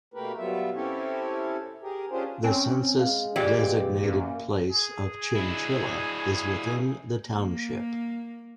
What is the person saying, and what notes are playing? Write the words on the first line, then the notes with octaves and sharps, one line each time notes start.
The census-designated place of Chinchilla is within the township.
B2 A3 A#3 G4 A#4 B4
F#3 G3 B3 F4 E5
C4 C#4 E4 G4 A4 C#5
G4 G#4 A#4
C#4 D4 F4 G4 G#4 C5
C4 C#4 C#5 G5 G#5
G#3 F5
A#2 E3 G4 D5
F#2 A#3
G#4
D4 E4
A#3